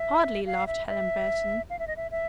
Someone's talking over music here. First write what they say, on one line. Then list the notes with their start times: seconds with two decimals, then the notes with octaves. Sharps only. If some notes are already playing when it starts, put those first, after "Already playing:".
"Hardly," laughed Helen Burton.
Already playing: E5
0.46 F5
0.67 E5
0.87 E5
1.70 F5
1.79 E5
1.88 D#5
1.97 E5
2.11 E5